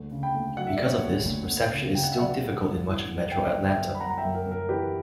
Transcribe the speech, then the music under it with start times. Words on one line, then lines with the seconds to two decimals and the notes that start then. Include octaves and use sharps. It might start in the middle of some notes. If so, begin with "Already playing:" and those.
Because of this, reception is still difficult in much of metro Atlanta.
Already playing: D2
0.11 C#3
0.23 G5 B5
0.34 D2
0.57 F#3 F#5
0.67 E5
0.76 D2 D5
0.86 C#5 E5
1.03 D2
1.25 D2
1.48 D2
1.72 C#3
1.94 C#3 G5
2.03 F#5
2.12 E5
2.17 F#3 D5 F#5
2.40 D2
2.63 G3
2.86 E3
3.09 F#2
3.31 G1 E5 G5
3.55 G1
3.66 E5 G5
3.77 F#2
3.95 B5
4.00 F#2 F#5 A#5
4.11 A#5
4.18 E5 G5
4.23 F#2
4.35 A#4
4.46 F#2
4.52 A#4
4.69 E3 G4 B4